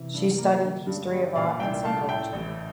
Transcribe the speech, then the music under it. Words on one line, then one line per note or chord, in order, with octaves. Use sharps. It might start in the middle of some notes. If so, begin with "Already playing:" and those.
She studied history of art and psychology.
Already playing: C3 E3 E5
G2
A#3
D3
G2
G3
A#2 D5 F5
C2 E5 G5
A3 F5 A5
A2 E5 G5
A1